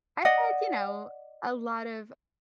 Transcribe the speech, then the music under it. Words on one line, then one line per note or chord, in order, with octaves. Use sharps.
I've had, you know, a lot of
D5 D#5 F#5